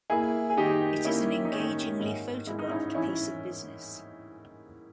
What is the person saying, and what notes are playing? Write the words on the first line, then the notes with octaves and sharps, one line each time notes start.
It is an engagingly photographed piece of business.
A#3 E4 G#4
G#4
D#3 D#4 G4
A#3 C#4 E4
D#4
D#3 C#4
G#2
G#3 E4
D#4
C#4 E4
E3 C#4 E4